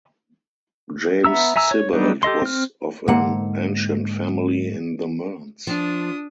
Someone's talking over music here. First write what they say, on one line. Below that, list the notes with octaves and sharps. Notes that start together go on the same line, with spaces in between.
James Sibbald was of an ancient family in the Mearns.
B3 E5 A#5 E6
E5 G#5 A#5 E6
C#5
F#3 G3 B3 D4 D#4
G4 A4 D#5 C6
C4 F6
G#2 D3 A#3 C4 F#5
F3 D4 D#6